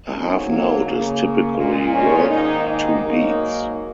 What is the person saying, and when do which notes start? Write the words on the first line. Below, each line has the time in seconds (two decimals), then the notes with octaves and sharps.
A half note is typically worth two beats.
0.10 G#2 F#3 A#3 C#4
0.47 A#3
0.84 C#3 A#3
1.57 A#2 G#3
1.93 C#4
2.30 G#2 D#3 A#3 D#4
2.67 D#4
3.03 G#2 F#3 A#3